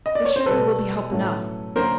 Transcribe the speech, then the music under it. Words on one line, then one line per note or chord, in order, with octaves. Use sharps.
"They surely will be help enough."
D#5
D5
C#5
C5
B2 G3 B3 A4 B4
A2 F#3 A3 C#4
D3 F#3 A#3 C#4 A#4 C5